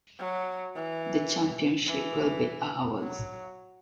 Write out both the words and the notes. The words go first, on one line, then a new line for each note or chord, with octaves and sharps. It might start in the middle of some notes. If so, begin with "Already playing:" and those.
The championship will be ours!
F#3
E3
E3
F#3